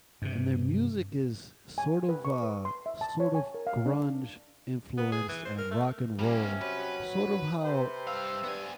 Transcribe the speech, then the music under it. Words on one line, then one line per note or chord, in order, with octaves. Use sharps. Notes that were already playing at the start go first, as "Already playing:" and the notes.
and their music is sort of, uh sort of grunge influenced, and rock and roll, sort of how,
G2 C3
G#5
B4
C#6
B4
C6
E5
A5
C#5
G#5
A#4
F5
D4
B3
G#4
E3
C5
A#4
A3
C3 G3 A#3 C#4
F#3 B4
C3 B4 C5
G2 F5 E6
G2 B3 G#5